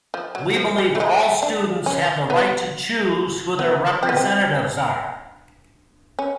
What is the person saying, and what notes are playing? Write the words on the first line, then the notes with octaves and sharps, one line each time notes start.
We believe all students have the right to choose who their representatives are.
F3
F#3
F3
G3
A3
G#3
D4
C#4
B3
B3
C4
B3
C4
C#4